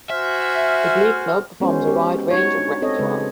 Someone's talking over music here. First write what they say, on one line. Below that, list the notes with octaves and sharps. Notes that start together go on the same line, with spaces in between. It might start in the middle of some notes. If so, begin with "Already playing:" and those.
The Glee Club performs a wide range of repertoire.
F#4 C5 E5 G#5 F6
G#3 B3 C#4 F#4 C5
G4
D#4 F#4 C#5
D4
C4 A4 C#5 D#5
C#3 G#3 B4